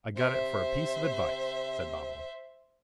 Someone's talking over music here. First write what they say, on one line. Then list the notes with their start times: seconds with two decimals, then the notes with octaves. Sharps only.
"I got it for a piece of advice," said Babo.
0.16 C3 C5 E5